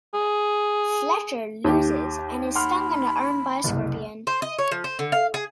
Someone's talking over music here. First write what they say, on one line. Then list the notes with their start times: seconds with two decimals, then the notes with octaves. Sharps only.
Fletcher loses and is stung on the arm by a scorpion.
0.14 G#4
1.64 D#2 G4
2.55 F#5 B5 C6 F6
3.64 F#1 C2
4.27 C5
4.42 D#5
4.59 C#5
4.71 F3
4.84 C5
4.99 D3
5.12 F5
5.34 G#4